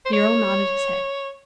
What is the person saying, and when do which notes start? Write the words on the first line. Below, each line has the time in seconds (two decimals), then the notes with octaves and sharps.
The Earl nodded his head.
0.05 C5
0.13 C#5